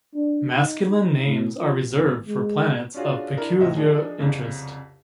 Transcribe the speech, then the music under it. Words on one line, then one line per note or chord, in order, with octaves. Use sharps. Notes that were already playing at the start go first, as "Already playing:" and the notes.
Masculine names are reserved for planets of peculiar interest.
D4
D#4
D#4
A2
F3
G#1
G#3
C#4 D4 F4 F#4 G#4
D4 E4 A4 A#4
C#2 A2 C3 F#3 D#5 E5
F3 D4 D#4 G#4
C2 F2 C#3